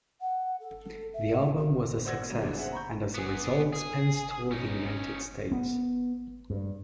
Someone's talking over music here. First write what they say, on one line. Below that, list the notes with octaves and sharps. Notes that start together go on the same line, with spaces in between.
The album was a success, and as a result Spence toured the United States.
F#5
A4
E5
F#4
C5 D5 F#5 E6 G#6 A#6
B3
G#2 D3 F#3
B2 D3 E3 G3 G#3 A#3
C4 G#4 E5 F#5
A#5 B5 C#6 G6
B3 G#4
G#4
C#4 D#4
B3
G2